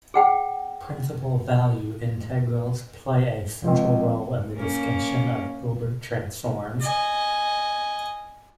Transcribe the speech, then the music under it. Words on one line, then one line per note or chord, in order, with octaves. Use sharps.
Principal value integrals play a central role in the discussion of Hilbert transforms.
G#4 F#5 G5
C#2 F3 C4
A#3 C#4
D#5 G#5